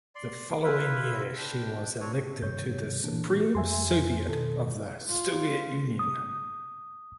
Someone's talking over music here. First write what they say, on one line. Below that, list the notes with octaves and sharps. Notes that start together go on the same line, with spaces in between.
The following year she was elected to the Supreme Soviet of the Soviet Union.
D5 C6
E4 F4 B4 E5
D4 G5
C4 D4 C#5
G2 C3 D#3 C#5 G6
A#2 E3 A#3 D4
F2 E5 G#5 C6
B2 D#3 A4
F4
D#6